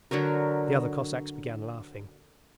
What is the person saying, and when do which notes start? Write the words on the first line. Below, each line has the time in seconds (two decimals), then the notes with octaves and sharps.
The other Cossacks began laughing.
0.11 D3 F#3 F#4 A#4